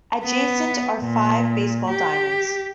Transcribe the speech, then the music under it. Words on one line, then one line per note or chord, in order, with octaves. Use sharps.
Adjacent are five baseball diamonds.
B3
A#2
G4